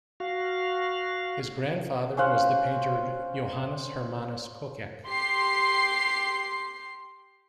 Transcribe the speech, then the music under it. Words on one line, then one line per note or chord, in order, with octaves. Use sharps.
His grandfather was the painter Johannes Hermanus Koekkoek.
F#4 F5
C#4 C5 F5 F#5
G4 C6 C7